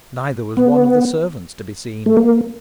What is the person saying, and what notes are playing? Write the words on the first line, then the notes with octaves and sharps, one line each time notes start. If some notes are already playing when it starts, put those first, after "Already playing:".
Neither was one of the servants to be seen.
B3
A3
A#3